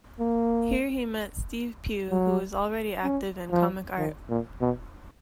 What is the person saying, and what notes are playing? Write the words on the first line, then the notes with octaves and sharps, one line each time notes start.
Here he met Steve Pugh who was already active in comic art.
A#3
F#3
C#4
F3
D#3
A#2
B2